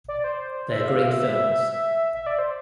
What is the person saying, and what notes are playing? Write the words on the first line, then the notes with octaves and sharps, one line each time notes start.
They're great films.
D5
C5
E5
F5
E5
E5
E5
D5
C5